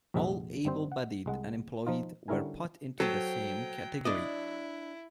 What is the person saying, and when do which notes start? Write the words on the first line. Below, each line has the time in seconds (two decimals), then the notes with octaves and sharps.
All able-bodied unemployed were put into the same category.
0.14 A#1 F2 C3 G#3 E5 F#5
0.65 G1 G3 C4 C5
0.92 F#5
1.26 C2 G#3 F#5
1.87 F3 D#4 F4
2.28 D3 G3 C#4 E4 A#4 G#5
3.00 F#3 A4 C5 G5
4.05 D4 E4 D5 D#5